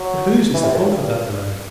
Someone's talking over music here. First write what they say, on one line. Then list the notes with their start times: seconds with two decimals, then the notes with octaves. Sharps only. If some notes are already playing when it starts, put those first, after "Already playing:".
But whose is the fault of that delay?
Already playing: F#3
0.54 E3
0.64 C3
0.75 A2
0.85 G2